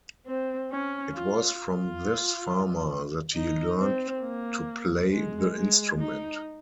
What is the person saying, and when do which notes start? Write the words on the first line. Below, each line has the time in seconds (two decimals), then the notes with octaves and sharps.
It was from this farmer that he learned to play the instrument.
0.27 C4
0.71 C#4
1.14 F4
1.59 F4
3.34 D#4
3.79 C4
4.22 A#3
5.11 G#3
5.55 G#3
5.99 D#4